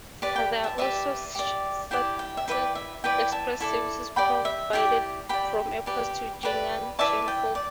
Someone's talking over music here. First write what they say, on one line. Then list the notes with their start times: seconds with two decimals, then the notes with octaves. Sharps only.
There are also Shuttle Express Service provided from airports to Jing'an Temple.
0.22 G4 B4 D5
0.36 G5 B5
0.64 E5 A5
0.78 G4 B4 D5 E5
1.35 G4 D5
1.91 E4 G4 D5 G5
2.19 G5
2.37 E5
2.48 E4 B4 D5 G5
2.75 E5
3.04 E4 B4 D5 G5
3.32 E5 A5
3.60 E4 A4 D5
4.16 G4 D5 G5 B5
4.45 E5
4.73 E4 G4 D5 G5
5.29 G4 D5 G5 B5
5.86 G4 B4 D5
6.43 G4 B4 D5
6.99 E4 B4 D5 E5 A5
7.28 G5
7.55 D5